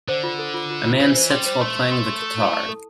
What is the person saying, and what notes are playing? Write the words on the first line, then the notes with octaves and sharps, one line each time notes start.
A man sits while playing the guitar.
D3 C5
F4
A4
F4
F4
F4
E3 C5
C5
G3 C6
C5
A3 C6
C6
C6
C6
A4
E4
A5
A4